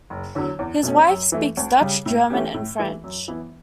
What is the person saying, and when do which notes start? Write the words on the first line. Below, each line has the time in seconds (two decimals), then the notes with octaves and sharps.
His wife speaks Dutch, German and French.
0.10 F#1
0.35 E2 D3 F#3
0.59 E2
0.83 B2 A3 C#4
1.08 F#2
1.32 E3 A3
1.57 D2
1.81 C#3 G3
2.06 A2
2.30 E3 A3 C#4 G4
2.54 A2
2.79 E3 A3
3.04 F#2
3.28 E3 B3 E4